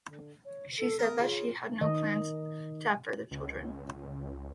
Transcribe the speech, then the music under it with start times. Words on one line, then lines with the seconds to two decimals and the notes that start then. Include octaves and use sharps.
She said that she had no plans to have further children.
0.07 D3
0.45 C#5
0.78 A4
0.99 B3 A#4 D#6
1.18 C#3 F4
1.81 D#3 D#5
3.31 C#2